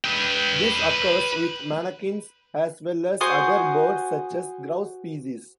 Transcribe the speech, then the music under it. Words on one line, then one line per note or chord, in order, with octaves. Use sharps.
This occurs with manakins, as well as other birds such as grouse species.
B4 G5
F#4 C5 G#5 D#6